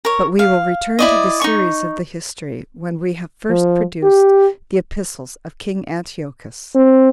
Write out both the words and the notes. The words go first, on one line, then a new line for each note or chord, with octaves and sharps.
But we will return to the series of the history, when we have first produced the epistles of king Antiochus.
A#4 C#5
F5
E4 D5 D#5
D#4 C#6
F3
G4
C4